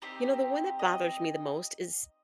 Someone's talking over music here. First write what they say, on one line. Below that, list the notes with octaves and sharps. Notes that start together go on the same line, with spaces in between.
You know, the one that bothers me the most is
C4 D#4 G4 C5
D#5